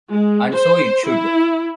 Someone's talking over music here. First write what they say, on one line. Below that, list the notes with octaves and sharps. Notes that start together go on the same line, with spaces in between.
And so it should.
G#3
C5
E4